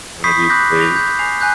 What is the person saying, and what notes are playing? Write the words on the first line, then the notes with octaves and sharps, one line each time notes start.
one of these days.
B5 C#6 D#6 G6 B6 C7
B5 D6 F#6 G6 A#6
G6 F7
G6
G#5 C7 F7
G#5 F#6 G6 C7